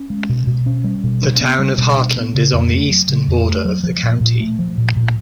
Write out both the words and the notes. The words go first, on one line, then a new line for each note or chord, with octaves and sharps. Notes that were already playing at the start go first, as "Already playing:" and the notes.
The Town of Hartland is on the eastern border of the county.
Already playing: C#4
G#3
B2
B2
C#4
G3
B2
D4
B3
G3
B2
D4
B3
C#3
F2
A3
F#3
C#3
F2
A3
F#3
F3
A#2
A#2
A3
F3
A#2
A#2